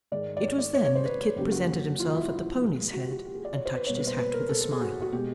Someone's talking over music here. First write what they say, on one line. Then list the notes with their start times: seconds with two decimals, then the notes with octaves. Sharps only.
It was then that Kit presented himself at the pony's head, and touched his hat with a smile.
0.12 G#2 D#3 G#3 D5
0.37 D5
0.42 C#5
0.59 D5
0.74 C#5
0.85 C#5
0.95 C5
1.05 B4
1.36 F#2 C#3 F#3 A#3 G4
1.52 F#4
2.00 F4
2.15 E4
2.26 F4
2.37 E4
2.62 A#2 F3 G#3 F4
2.93 F#4
3.03 G4
3.12 F#4
3.25 G4
3.35 G#4
3.45 D5
3.56 C#5
3.66 C5
3.76 B4
3.87 B2 G3 A#3 C#5
3.97 B4
4.07 C5
4.18 B4
4.33 A#4
4.49 A4
4.60 A4
4.71 G#4
4.81 F#4
5.02 F#4
5.12 B2 G#3 G4